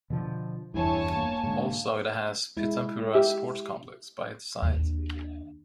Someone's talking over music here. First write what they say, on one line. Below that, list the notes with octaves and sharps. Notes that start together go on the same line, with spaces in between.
Also it has Pitampura Sports Complex by its side.
B2 D3 F3
F1 E2 G2 E4 C#5 G#5 A5
A#3
G#2 D3
G#3 E4
G4 E5
D#2 D4